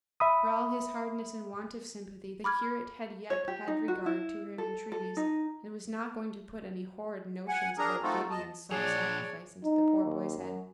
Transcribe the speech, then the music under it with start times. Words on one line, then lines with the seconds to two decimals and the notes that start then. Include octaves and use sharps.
For all his hardness and want of sympathy, the curate had yet had regard to her entreaties, and was not going to put any horrid notions about duty and self-sacrifice into the poor boy's head!
0.20 E5 B5 D#6
2.44 B5 D6 F6 G#6
3.30 C#5
3.48 G4
3.68 D#4
3.88 F#4
4.06 E4
4.58 A4
4.92 A4
5.17 D#4
7.48 F#5 G#5
7.78 D4 G#4 A#4 A#5
8.03 A3 C4 D#4 F4 F#4 A4
8.31 E2 D#5 A5
8.72 A#2 F3 D4 G#4 C#5 D5
9.64 D#4
10.04 D#2
10.38 F#2